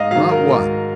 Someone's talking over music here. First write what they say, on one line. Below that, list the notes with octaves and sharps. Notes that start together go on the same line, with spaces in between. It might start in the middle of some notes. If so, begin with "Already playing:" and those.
Not one.
Already playing: G#2 D#5 F5
D#3 F#3 F5
A#4
G#2